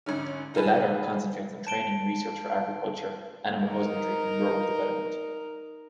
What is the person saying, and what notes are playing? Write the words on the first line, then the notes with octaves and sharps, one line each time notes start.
The latter concentrates on training and research for agriculture, animal husbandry and rural development.
G#1 D3 C#4
D#4 F4 G#4 A4 B4
A5 D7 G7
D#4 A#4